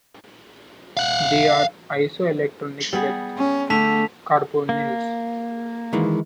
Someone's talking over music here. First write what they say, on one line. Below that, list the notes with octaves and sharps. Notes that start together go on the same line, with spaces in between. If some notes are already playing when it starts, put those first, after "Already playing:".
They are isoelectronic with carbonyls.
F5 F#5
G3 B3 G#4
C#4
D3 A3 A5 B6 F7
A#3
D#3 E3 G#3